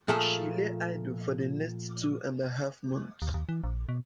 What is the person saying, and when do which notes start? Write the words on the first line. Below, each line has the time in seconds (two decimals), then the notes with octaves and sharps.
She lay idle for the next two and a half months.
0.08 A#2 F3 A3 G#4 A4
3.22 D#2
3.34 D#2
3.49 E3
3.64 A#1
3.89 B2